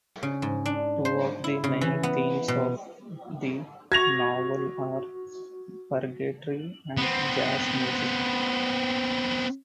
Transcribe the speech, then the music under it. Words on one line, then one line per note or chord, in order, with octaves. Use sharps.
Two of the main themes of the novel are purgatory and jazz music.
C#3
G#2
D4
C5
E4
C#3
E3
B3
B2
F#4 C#6 G#6 A#6 F7
B3 C4